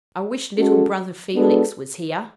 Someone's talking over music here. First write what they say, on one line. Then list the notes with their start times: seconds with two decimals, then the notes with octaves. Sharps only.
I wish little brother Felix was here!'
0.57 G#3 C#4 F#4 A4
1.35 G#3 B3 D4 F#4 A4